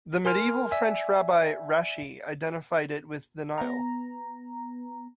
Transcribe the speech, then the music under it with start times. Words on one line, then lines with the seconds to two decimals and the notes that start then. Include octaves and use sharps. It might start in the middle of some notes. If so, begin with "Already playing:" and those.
The medieval French rabbi Rashi identified it with the Nile.
0.25 A#4 G#5 C6 F6
0.71 D5 E5 G#5
3.58 B3 A#5